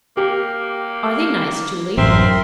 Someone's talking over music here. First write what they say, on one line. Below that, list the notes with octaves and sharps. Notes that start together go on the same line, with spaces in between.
"Are they nice, Julie?"
A#3 G4
A1 F#2 C4 A#4 E5 C6